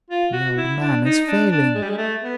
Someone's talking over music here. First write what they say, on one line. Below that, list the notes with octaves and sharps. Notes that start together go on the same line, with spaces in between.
"The old man is failing."
F4
F#4
E4
D4
D#4
D4
D4
G#3
G3
G#3
A3
B3